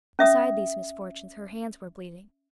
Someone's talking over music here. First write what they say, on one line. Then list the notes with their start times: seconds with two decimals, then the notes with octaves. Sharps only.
Beside these misfortunes her hands were bleeding.
0.19 C#4 E5 D#6